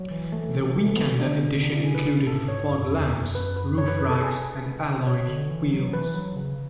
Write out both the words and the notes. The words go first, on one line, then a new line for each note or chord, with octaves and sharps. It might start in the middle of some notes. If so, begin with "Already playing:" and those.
The Weekender edition included fog lamps, roof racks and alloy wheels.
Already playing: F#3
E3
A3
A3
A3
B3
C#4
D3 D4
D4
E4
G#4
B4
C#3 B4
A2 A4
G#2 C#5
F#2
E2
F#2
B4
B4
C#5
B4
B4
A4
G#4
B4
B2 C#5
D3
E3
F#3
E3 B4
F#3
C#3